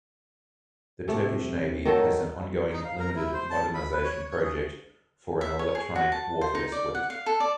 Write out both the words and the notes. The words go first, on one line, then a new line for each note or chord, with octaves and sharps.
The Turkish Navy has an ongoing limited modernization project for an Electronic Warfare Suite.
C3 A3
D#3 F#3 A3 A4
D#4
F5
A#4
E4
C5
A5
B5
B4
C#5
C#5
G#4
E5
C#5
G#4
F#4
A5
C5
D#4
D5
F#5
F5
A4
D5